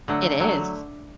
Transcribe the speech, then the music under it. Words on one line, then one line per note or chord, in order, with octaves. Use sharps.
It is.
D3 F#3 A3
D3 F#3 A3